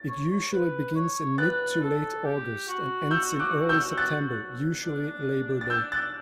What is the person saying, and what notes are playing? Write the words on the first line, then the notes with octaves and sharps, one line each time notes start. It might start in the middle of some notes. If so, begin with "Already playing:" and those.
It usually begins in mid-to-late August, and ends in early September, usually Labour Day.
Already playing: A6
C#5
C#5
B4
C#5
B4 F#6 A6
A4
G4
F#4
E6 G6
D6 F#6
E6 G6
F#6 A6
D4
A6
E6 G6
F#6 A6